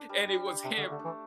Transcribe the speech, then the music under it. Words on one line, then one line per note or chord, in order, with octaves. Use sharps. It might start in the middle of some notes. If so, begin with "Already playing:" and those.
And it was him.
Already playing: D4
G3
G3
G4
C3 D4
D3
A3
D3
D4
E3